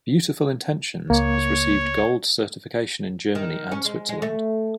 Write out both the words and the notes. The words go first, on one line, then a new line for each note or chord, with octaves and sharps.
"Beautiful Intentions" has received Gold certification in Germany and Switzerland.
C#2 A#3 C#5
D#3
C#4
G#3
G#3
A3